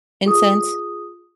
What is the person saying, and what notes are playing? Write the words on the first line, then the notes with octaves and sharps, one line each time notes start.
in sense?
F4 G#4 D#6